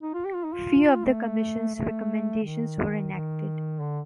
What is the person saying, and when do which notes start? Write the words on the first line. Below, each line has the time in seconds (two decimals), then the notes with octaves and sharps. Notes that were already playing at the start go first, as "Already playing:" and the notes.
Few of the Commission's recommendations were enacted.
0.03 D#4
0.14 F4
0.25 G4
0.35 F4
0.44 D#4
0.53 F4
1.06 A3
1.75 A3
2.43 D#3
3.13 D#3
3.81 D3